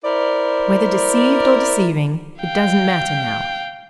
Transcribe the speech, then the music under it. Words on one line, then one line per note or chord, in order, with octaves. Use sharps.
Whether deceived or deceiving, it doesn't matter now.
E4 A#4 C5 D5
F5 G5